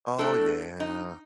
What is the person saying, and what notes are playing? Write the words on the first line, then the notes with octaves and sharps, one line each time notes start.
Oh yeah.
A2 A3 D4 A4
D#4